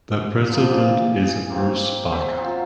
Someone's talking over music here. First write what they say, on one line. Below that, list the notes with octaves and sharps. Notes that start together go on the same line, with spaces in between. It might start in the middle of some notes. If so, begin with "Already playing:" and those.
The president is Bruce Barker.
D3 F3 D#4
A#2 E3 D5
C#3
A#3 C4
C5 E5
F#3 C4 F4 E5